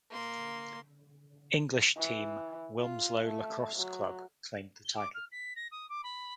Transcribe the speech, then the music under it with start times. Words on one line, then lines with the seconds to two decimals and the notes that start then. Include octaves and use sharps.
English team Wilmslow Lacrosse Club claimed the title.
0.10 A#3 C6
1.97 E3
2.80 F4
3.24 A3
3.75 F#3
4.84 G7
4.97 D6
5.14 F6
5.31 B6
5.56 A#6
5.71 D#6
5.89 D6
6.03 B5